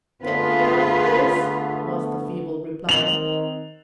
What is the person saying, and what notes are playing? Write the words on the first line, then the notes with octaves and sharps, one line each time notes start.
"Get me out of this," was the feeble reply.
D3 A3 B3 F4 G#4 B4
D#3 C4 F7 F#7